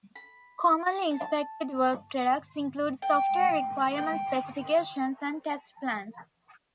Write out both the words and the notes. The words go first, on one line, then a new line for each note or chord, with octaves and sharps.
Commonly inspected work products include software requirements specifications and test plans.
B5
A5
G5
G5